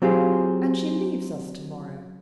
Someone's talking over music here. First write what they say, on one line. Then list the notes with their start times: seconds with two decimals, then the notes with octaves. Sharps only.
And she leaves us to-morrow.
0.02 F#3 C4 F4 G4 G#4